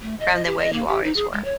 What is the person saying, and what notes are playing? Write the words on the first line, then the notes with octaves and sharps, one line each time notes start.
from the way you always were.
A3
D#5
D#5
G4
D#5
A#3
G4
D#4
G#4
G#3
C#5